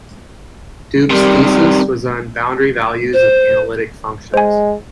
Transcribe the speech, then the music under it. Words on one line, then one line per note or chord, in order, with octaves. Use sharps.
Doob's thesis was on boundary values of analytic functions.
C3 D#3 G3
G3
C5
G#3 C5 G#5